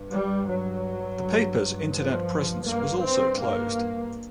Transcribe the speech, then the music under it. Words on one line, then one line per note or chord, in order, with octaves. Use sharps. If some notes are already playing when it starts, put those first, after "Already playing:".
The paper's internet presence was also closed.
Already playing: G2
G3
F#3
G2
F3
G2 A#3
C4
A#3